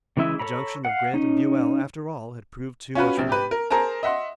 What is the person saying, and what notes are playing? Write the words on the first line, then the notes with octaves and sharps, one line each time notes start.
The junction of Grant and Buell, after all, had proved too much for them.
C#3 E3 G#3 E4 E5
A4 C#5 A#5 B5
F5 F#5
C#4 D#4
C#4 F4 F#4 B4
A#1 C3
G4 B4
A#4
G#4 A#4 C5 A5 A#5
D#5 E5 F#5 C6